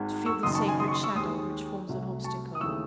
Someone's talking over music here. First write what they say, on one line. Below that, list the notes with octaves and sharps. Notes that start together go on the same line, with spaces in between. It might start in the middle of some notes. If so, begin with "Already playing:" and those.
To feel the sacred shadow which forms an obstacle!
Already playing: G#1 G#2 D#3 G#3
C#6 E6
F#1 F#2 D#3 C6 D#6
A5 C#6
G#5 C6
C6 D#6
C#6
C6 D#6
C#6 E6
D#2 D#3 G#3 C6 D#6
C2 C3 F#3 A3
A5 C#6
D#6
D#2 C#3 E3 A3 C#6 E6